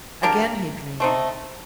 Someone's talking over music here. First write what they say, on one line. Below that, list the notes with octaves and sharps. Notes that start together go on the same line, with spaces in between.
Again he dreamed.
A#3 D4 G4 A#4
A3 C4 D#4